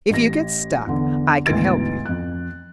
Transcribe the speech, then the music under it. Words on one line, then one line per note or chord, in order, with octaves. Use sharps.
If you get stuck I can help you.
A1 A#6
E2 D3
D2 G#2 B2 E3 A6 D7
F2 F#6